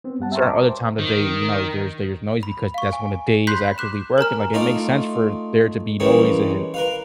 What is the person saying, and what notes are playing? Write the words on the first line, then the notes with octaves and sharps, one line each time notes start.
certain other times of day, you know, there's there's noise because that's when the day is actively working. Like, it makes sense for there to be noise and
B3 C4
G2 G3 F#5 A5
E5 G5 A5 A#5 C6 C#6
D6
C5
D#3
B5
F5 C#6
G#5
B5 C6 F#6 G6 B6 C7
D6 F#6 E7
A#4 G#5 A#5 F6
A3 D#4 F4 D5 D#5
E3 G3 G#3 A#3 C#4
A#4 B4 F5